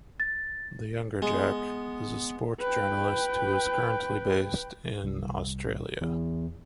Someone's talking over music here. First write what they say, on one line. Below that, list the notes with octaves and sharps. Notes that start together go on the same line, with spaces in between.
The younger Jack is a sport journalist who is currently based in Australia.
A6
G#3 B3
B4 G5
C2
E2